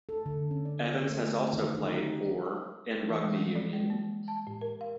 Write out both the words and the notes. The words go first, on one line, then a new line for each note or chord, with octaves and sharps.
Evans has also played for in rugby union.
A4
D3
C#4
D5
A3
D#3
D#4
G4
E3
G#3
G3
D5
G#3
A#3
A5
A2
A#4
F5